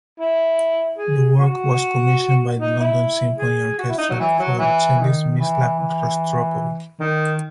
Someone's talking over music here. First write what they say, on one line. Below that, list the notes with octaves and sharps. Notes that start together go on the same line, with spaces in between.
The work was commissioned by the London Symphony Orchestra for the cellist Mstislav Rostropovich.
E4
G#4
F#4
D#4
E4
G#4
F#4
E4
D#4
F#3
E3
F#3
E3
D#3
E3
E3
D#3